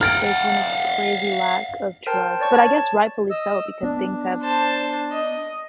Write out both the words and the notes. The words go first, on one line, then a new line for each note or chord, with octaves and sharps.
There's been a crazy lack of trust, but I guess rightfully so because things have
F5 F#5 F6 A6 D7
A#4 C5 G5 A5
C#5 D5 A5 C#6
A5 G#6 A6
D#5 E6
B3 D4
C5 A5
D#5